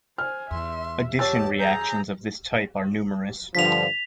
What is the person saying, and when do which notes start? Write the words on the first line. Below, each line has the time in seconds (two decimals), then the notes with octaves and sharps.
Addition reactions of this type are numerous.
0.18 C5 G#5 F6
0.51 E2 E5 C6
1.19 G4 C#5 A5 E6 A6
1.59 G#4 A#5 G6
3.55 G2 D3 F3 B6 F7